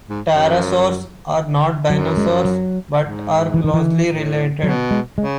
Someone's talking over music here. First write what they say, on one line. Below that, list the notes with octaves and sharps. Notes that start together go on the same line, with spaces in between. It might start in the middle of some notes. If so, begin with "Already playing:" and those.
Pterosaurs are not dinosaurs but are closely related.
G#2
F#2
F#2 F#3
G#3
F#3
G#2
E3
D#3
E3
A2
B2 F#3
G#3
C#3 G#3